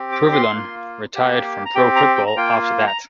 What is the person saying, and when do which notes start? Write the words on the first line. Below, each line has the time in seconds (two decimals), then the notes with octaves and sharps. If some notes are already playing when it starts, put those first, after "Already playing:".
Truvillion retired from pro football after that.
Already playing: C4 G4
0.12 D6
0.32 C6
0.53 A#3 F4
1.15 A#3 G4
1.66 A#5
1.75 C4 G4 G5
1.96 A#5
2.16 G5
2.27 A#5
2.36 A#3 F4 G5
2.87 A#5